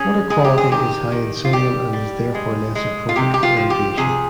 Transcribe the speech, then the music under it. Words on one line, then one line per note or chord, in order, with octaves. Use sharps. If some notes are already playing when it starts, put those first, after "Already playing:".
Water quality is high in sodium, and is therefore less appropriate for irrigation.
Already playing: C#4 G#4
G#3 G#4
G4
G#4
D#3 G4
D#3
F4
G3 G4
G3
G#3
G#3
F4
C3 G4
G4
F4
F3
G4
C3 G#4